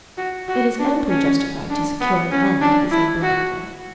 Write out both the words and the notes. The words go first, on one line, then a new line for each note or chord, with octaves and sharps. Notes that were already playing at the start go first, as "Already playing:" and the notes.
"It is amply justified to secure an end," he said blandly.
F#4
F#4
D4
C#4
D4
B3
C#4
D4
E4
F#4